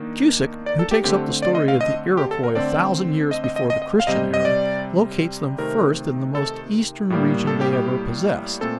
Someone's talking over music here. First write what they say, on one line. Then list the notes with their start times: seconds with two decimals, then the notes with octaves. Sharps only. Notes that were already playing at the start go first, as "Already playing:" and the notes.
Cusic, who takes up the story of the Iroquois a thousand years before the Christian era, locates them first in the most eastern region they ever possessed.
Already playing: D#3 A#3 D4
0.66 D5
0.79 A4
0.91 G4
1.04 D3 A3 C4 G4
1.42 D5
1.55 D#5
1.68 F5
1.81 D#5
2.17 G4
2.31 A4
2.43 A#4
2.55 D3 A3 C4 D5
3.31 D#5
3.44 D#5
3.56 D#5
3.70 D#5
3.82 D#5
4.00 F5
4.07 C3 G3 C4 D#5
4.34 D#5
4.45 D5
5.58 C3 D#3 A3 C4 A#4
6.35 A4
7.10 A2 G3 A#3
7.47 A4
7.61 G4
7.73 G4
8.61 A#2 A3 C4 A4